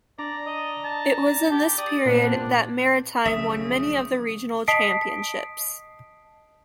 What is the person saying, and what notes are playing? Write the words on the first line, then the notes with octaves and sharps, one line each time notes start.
It was in this period that Maritime won many of the Regional Championships.
D4 D5 A#5
D#5
A5
G4
D5 D#6
A#2 B3 C4 D4
B1 C#3 F3 A3 E5 D#6
D#5 A5 D#6 B6 C7 D7